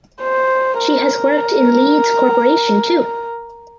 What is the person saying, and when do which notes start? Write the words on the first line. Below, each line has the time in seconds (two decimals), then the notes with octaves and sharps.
She has worked in Leeds Corporation too.
0.22 C5
0.80 A#4